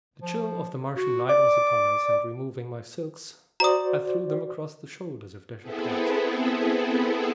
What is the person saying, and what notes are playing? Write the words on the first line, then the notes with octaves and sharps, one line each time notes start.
The chill of the Martian night was upon us, and removing my silks I threw them across the shoulders of Dejah Thoris.
F3
F#4
D5 D6
F#4 C5 D5 A#5 D#6
B3 C4 E4 G#4 A4